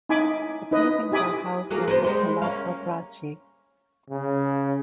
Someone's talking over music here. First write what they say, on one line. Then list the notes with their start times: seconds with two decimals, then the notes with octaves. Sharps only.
The paintings are housed in the Palazzo Braschi.
0.09 D#4 E4 G#5 B5 D6
0.71 D#4 E4 B4 D#5
1.12 E4 G4 G#5 B5 D6 D#6
1.71 F#3 A#3 G#4
1.88 B3 A#4 C5
2.05 G3 G#3 C5
2.42 A#3 C#4 F5
4.10 C#3